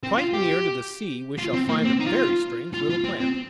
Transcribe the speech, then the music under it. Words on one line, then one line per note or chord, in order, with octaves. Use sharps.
Quite near to the sea we shall find a very strange little plant.
C4
F4
G4
F4
C4
A#3
C4
D#4
F4
F4
F4
C4
C4